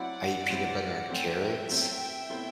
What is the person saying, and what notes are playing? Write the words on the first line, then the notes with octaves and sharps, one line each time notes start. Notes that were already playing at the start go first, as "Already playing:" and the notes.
I eat peanut butter on carrots,
Already playing: F#3 C4 E4 D5 F#5
F#3 C4 E4
F#3 A3 C4 E5 G5
F#3 A3 C4
B2 A3 C4 E4